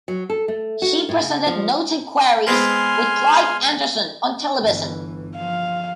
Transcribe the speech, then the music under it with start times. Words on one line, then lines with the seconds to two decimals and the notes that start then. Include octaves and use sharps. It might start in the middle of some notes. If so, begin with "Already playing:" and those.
She presented "Notes and Queries" with Clive Anderson on television.
0.08 F#3
0.30 A4
0.48 A3
0.82 F#4
1.09 A2
1.21 C#3
1.46 F3
2.47 G#3 B3 C4 G#5 C6 F6
4.61 G1 E3
5.36 F3 F5